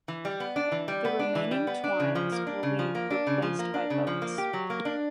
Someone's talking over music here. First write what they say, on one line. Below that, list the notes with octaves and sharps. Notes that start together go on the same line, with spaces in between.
The remaining "Tyne"s will be replaced by boats.
E3
G3
B3
D4
E3
G3
B3
D4
E3
G3
B3
D4
C#3
F3
A#3
D4
C#3
F3
A#3
D4
C#3
F3
A#3
D4
C#3
F3
A#3
G4
F#3
A#3
D4